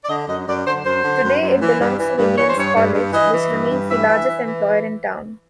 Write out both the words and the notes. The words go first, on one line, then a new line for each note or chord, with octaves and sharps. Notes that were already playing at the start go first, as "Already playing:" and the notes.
Today, it belongs to Williams College, which remains the largest employer in town.
D5
D3 D#5
F#2 D#5
F#2 D5
D3 C5
F#2 C5
D3
F#2
F#2
E3
G2
E3
G2
E3 C#5
C5
G2 C#5
G2
G2
E3 D#5
E3
G2
G2
E3 E5
E3
E3
E3